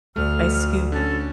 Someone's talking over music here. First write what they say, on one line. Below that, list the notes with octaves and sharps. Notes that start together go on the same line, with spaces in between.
I scoop
D2 A3 F6
D3 C#4 A4